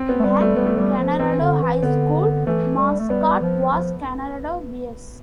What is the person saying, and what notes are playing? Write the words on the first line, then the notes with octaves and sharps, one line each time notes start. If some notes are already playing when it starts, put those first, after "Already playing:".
The Kanorado High School mascot was Kanorado Bears.
Already playing: C4
B3
A3
G3 B3
A3
G3 B3
A3
G3 B3
F3
E3 C4
D3
E3
D3 B3
E3 A3
G3
A3
G3 B3
F3
F3